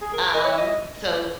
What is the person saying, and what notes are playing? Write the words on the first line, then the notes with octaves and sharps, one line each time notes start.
um, so
G#4
A#4
A#4
D#5
C#5
E5
D#5